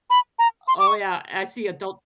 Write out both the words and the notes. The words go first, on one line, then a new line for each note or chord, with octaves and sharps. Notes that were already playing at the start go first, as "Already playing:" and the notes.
o oh, yeah. I see adult
B5
A#5
C6
D6
C#6